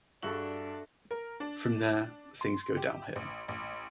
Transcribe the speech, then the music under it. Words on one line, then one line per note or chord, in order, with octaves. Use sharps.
From there, things go downhill...
G2 D4 F#4 G#4 A4 E5 F#7
A#4
D4
C6
G4
A1
A1